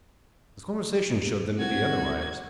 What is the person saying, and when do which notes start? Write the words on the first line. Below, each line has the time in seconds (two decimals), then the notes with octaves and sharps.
His conversation showed them to be otherwise.
1.58 C2 F#4 G#6